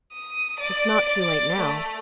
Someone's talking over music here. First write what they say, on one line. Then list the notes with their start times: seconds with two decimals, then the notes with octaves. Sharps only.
"It's not too late, now."
0.13 D#6
0.59 D5
1.08 D5 A6
1.55 A3